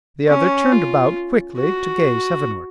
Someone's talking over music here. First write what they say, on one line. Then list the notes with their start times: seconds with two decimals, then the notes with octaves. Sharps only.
The other turned about quickly to gaze heavenward.
0.28 C#4
0.71 F4
1.58 F#4